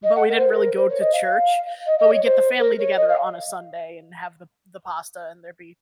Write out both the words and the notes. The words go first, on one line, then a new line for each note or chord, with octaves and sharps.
But we didn't really go to church. But we'd get the family together on a Sunday and have the the pasta and there'd be
D#5
F#5
A#4
C5
A#4
C5
C#5
D#5
F5
D#5
D#5
C#5
C5
A#4
C#5
D#5
F5